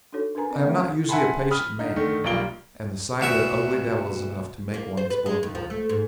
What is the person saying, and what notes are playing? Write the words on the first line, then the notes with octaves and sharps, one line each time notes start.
I am not usually a patient man, and the sight of that ugly devil is enough to make one's blood boil.
D4 D#4 F#4 A4 C#5
D4 A#4 B4 G#5 A#5
C4 D5 D#5
D3 D#3 A3 C#4 A#4 E5
E5 F#5 G#5 A5 B5 C6
B5 D#6 F6
D3 D#4
D3 D#3 A3
B1 G3 A#3 F4 D7 G7
D2 B2 F#4 E5
A#3
C5
B4
G#3
D#2
F3
A3
G#2